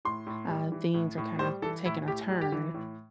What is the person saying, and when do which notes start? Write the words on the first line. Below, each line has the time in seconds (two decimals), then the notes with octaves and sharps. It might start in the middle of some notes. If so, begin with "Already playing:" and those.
uh, things are kinda taking a turn.
0.05 A2 C6
0.27 A2
0.49 G3
0.72 E3
0.94 A2
1.18 A2
1.39 G3 C5
1.62 E3 A4
1.85 A2 E4
2.07 A2 G4
2.29 G3
2.41 G4
2.52 E3
2.74 A2